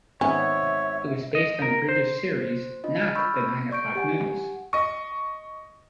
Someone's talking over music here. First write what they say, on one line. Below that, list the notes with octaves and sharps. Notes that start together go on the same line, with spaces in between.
It was based on the British series, "Not the Nine O'Clock News".
G#1 B3 C#4 C#5 E5
D#5
A#4
C5
C5
D4 F4 D#5
F6 A6
B5 C#6 E6 G6
D5 C#6 G6 D7
G4 F#5 G#5
D#5 C#6